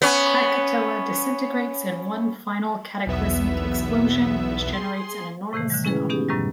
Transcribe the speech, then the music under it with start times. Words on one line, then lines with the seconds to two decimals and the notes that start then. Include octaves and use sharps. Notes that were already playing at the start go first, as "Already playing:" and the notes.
Krakatoa disintegrates in one final, cataclysmic explosion, which generates an enormous tsunami.
0.02 B3 C#4
3.07 B1 E2 B3 E5
4.72 G#4 C6
5.53 A2 C3 D#3 E3 A3
5.70 D3 E3 G3
5.84 G#3 C#4 E4 G#4 B4
6.09 B3 C#4 D#4 G4 G#4
6.29 F#2 A2 C3 D#3 F#3 G3